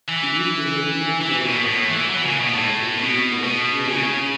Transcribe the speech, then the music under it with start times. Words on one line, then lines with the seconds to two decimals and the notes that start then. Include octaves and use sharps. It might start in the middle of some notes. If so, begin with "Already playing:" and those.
These assumptions provide the backbone for rational choice theory.
0.09 E3
1.21 E3
1.43 B2
1.66 A2
1.87 E3
2.09 F#3
2.17 E3
2.25 C#3
2.40 B2
2.54 A2
2.99 B2
3.43 B2
3.88 C#3